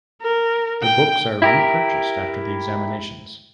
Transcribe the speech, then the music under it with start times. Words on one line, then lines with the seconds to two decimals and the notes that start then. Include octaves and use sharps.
The books are repurchased after the examinations.
0.21 A#4
0.83 G5
1.42 E4 G4 A#4